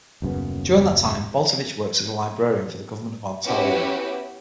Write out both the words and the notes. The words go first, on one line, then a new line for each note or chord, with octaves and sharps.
During that time, Baltovich worked as a librarian for the Government of Ontario.
D#1 F#2 C#3 B3
B3 C#4 E4 F#4 G4 B4